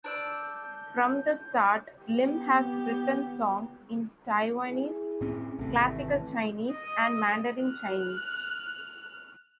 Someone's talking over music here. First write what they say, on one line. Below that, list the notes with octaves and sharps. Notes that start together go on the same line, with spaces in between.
From the start, Lim has written songs in Taiwanese, Classical Chinese, and Mandarin Chinese.
D4 D5 E6 G6
B3 G4
E4 G#4
A2 C4 C#4
G#1 C3 E3 A3
D#5
F6 F#6